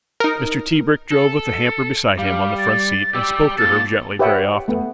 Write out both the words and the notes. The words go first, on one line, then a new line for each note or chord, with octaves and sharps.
Mr. Tebrick drove with the hamper beside him on the front seat, and spoke to her gently very often.
D#4 A#4
A4
G3 F5
A6
G4 D5 E6
A#2 A4 A6
G4 B4 C#5 E5 F#5 G5
A3 B3